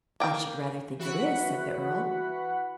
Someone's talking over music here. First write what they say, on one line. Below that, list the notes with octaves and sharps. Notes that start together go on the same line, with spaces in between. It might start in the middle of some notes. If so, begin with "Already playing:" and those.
"I should rather think it is," said the earl.
A#3 G5
E3 F#4 F#5 B5